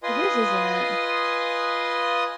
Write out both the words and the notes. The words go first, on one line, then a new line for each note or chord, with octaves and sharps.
It is, isn't it?
F4 B4 D#5 G#5 C6 D#6